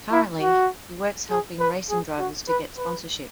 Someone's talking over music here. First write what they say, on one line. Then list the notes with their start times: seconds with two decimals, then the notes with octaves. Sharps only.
Currently, he works helping racing drivers to get sponsorship.
0.12 E4
0.41 F#4
1.30 G#4
1.60 B4
1.90 G#4
2.19 F#4
2.49 B4
2.78 B4